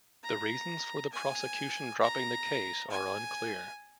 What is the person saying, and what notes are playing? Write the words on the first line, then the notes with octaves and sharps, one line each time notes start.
The reasons for the prosecution dropping the case are unclear.
A#5
G#5
A#5
G#5